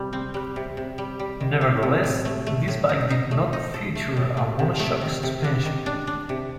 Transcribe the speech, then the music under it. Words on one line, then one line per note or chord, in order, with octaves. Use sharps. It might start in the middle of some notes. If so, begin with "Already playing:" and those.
Nevertheless, this bike did not feature a mono-shock suspension.
Already playing: C3 G3
C4
G3
C3
C3
G3
G3
D#3
C4
C3
A2
A3
A3
A2
D#4
D#4
A3
D#4
A4
A3
A2
A3
C3
A3
D#3
C3
D4
D#3
D4
D4
C3